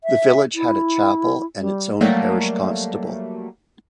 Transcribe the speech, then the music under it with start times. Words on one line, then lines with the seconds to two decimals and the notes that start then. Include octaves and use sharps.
The village had a chapel and its own parish constable.
0.04 E5
0.54 E4
1.58 G3
2.01 F#3 G3 A3 A#3